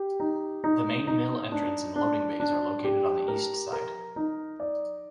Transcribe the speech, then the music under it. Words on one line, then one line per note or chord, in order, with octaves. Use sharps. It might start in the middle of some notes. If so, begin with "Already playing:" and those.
The main mill entrance and loading bays are located on the east side.
Already playing: G4
D#4
D#4
D#4
D4
D4
D4
G4
A#4
A#4
D#4
D5